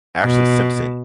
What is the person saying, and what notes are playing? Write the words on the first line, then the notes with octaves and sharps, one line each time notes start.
Ashley Simpson.
B2